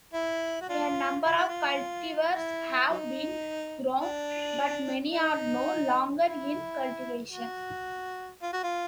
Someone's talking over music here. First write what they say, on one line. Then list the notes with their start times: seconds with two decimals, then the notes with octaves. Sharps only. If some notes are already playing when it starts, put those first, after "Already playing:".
A number of cultivars have been grown but many are no longer in cultivation.
0.14 E4
0.61 F#4
0.69 D4 F4
1.24 F4
1.36 E4
1.48 F4
2.34 E4
2.90 F#3 D#4
4.01 D4
5.11 D#4
6.21 E4
7.32 F#4
8.43 F4
8.53 F#4
8.63 F4